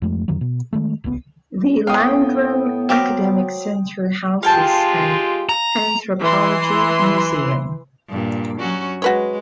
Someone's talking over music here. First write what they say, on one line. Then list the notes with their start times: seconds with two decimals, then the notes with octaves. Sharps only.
The Landrum Academic Center houses an Anthropology Museum.
0.02 F2 F3 G#3 A3
0.28 F2 D3 D#3 F#3
0.41 B2
0.73 D#3 G#3 A3
1.04 D1 C2 D3 B3
1.87 A2 B3 F5 G5 D#6
2.89 F#3 C4 G4 A#4
4.43 G#3 F4 G4 F5 G5 A5
5.49 A#5
6.21 E3 C6
8.09 G2 A#2
8.59 F#3 C#4 F#4
9.02 G#3 F#4 B4 C#5